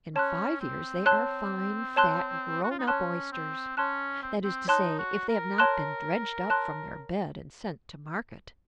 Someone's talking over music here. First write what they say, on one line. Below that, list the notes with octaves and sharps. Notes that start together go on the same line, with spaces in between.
In five years they are fine, fat grown-up Oysters--that is to say, if they have not been dredged up from their bed and sent to market.
C#4 C#5 A5 C6 F#6
C4
C#5 A5 C6 F#6
C#5 A5 C6 F#6
F#4
F4
D#4
C#4 C#5 A5 C6 F#6
C4
C#4 C#5 A5 C6 F#6
C4
C4
D#4 C#5 A5 C6 F#6
F#4
A#4
C#5 A5 C6 F#6
C#5 A5 C6 F#6